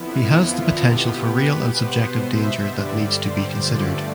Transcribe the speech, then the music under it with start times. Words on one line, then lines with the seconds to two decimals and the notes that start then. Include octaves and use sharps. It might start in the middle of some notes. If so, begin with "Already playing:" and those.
He has the potential for real and subjective danger that needs to be considered.
Already playing: F2 D3 F3 B3 E4
0.34 F4
0.80 B2 B3 G4
1.27 B4
1.73 B2 B3 C5
2.19 E5
2.65 G2 D3 G3 D5
3.12 C5
3.57 G2 D3 F3 A3 D5